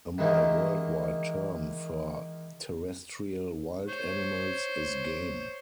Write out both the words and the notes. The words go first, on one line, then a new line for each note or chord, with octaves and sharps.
A more worldwide term for terrestrial wild animals is game.
D#3 E3 G#3 A#3 D#4 E4
C5 C#5